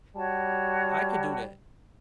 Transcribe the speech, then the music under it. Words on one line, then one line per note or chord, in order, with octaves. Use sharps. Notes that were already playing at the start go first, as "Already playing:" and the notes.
I could do that,
G3 F#4 C#5 A5